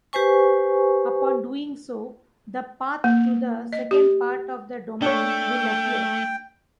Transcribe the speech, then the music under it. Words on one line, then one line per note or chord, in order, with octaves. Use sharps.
Upon doing so, the path to the second part of the domain will appear.
G4 B4 C5 G#5 C#6
A#3
D#5
G4
A3 D4 C#5 G5